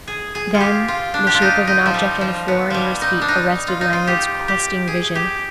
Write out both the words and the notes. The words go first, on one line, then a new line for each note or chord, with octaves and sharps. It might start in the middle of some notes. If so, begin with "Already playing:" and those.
Then the shape of an object on the floor near his feet arrested Lanyard's questing vision.
G#4
G#4
F4
G4
F4
D4
G4
F4
D#4
D#4
F3
G3
F3
B3
F3 G3
D#4
D4
D#4
F4
D#4
F4
G4
G4
G#4
G4